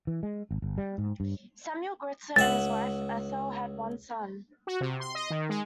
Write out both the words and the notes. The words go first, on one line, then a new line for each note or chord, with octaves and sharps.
Samuel Greitzer and his wife Ethel had one son.
E3
G#3
G#1
G1
G3
G#2
G2
C#2 E5 F#5 A6
F#4
C3
C6
D#5
D#3
G#3